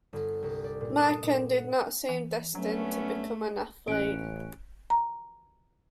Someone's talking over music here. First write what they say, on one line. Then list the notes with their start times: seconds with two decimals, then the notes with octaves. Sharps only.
Mikan did not seem destined to become an athlete.
0.13 G1
0.42 C2
0.64 D5
0.81 A#2
0.98 D#6
1.23 A#2
1.36 E7
1.58 F#5
2.09 E3
2.55 G2 F#3 A3 B3 C#4
3.88 A1 C#4 F#6 D7
4.90 A#5